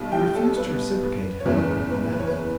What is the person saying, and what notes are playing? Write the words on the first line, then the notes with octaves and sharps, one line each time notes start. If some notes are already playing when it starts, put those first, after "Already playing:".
He refused to reciprocate, however, when asked.
Already playing: B1 B2 G3
G5
A4
B4
C#5
F#1 E2 C#3 E3 B4
B4
B4
C#5
B4